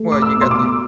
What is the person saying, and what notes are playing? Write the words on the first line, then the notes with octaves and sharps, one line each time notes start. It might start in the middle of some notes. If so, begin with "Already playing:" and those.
Well, you got the
Already playing: A3
D6
E6
B2 C6
D6